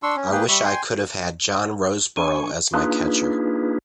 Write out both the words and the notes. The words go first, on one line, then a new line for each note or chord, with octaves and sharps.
I wish I could have had John Roseboro as my catcher.
D4 C6 C#6 E6
C#4
A#3 G#4 B4 G5
G3 E5 B5 C#6
G5 G#5 C6
D4 G#5 C#6
A#3 D4 D#4 F4 G#4 B4